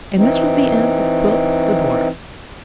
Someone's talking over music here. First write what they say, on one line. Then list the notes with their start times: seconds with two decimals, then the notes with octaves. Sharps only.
And this was the end of Quilp, the dwarf.
0.17 E3 C4 D#4